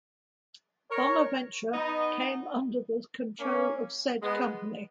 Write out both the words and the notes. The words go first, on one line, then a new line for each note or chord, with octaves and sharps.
Bonaventure came under the control of said company.
A#4 C#5
B3 D#4
A#3 C#4
G#3 B3